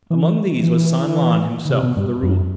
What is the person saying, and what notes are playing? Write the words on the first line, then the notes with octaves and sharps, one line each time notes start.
Among these was San-Lan himself, the ruler.
E3
E3
D#3
C3
B2
G2
F#2